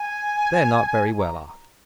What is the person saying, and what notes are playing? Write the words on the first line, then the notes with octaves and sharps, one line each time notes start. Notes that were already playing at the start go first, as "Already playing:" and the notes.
They're not very well off.
Already playing: G#5
A#5